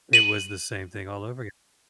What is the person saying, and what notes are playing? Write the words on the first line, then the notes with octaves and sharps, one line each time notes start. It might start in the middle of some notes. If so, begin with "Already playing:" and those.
it was the same thing all over again.
D#7 F#7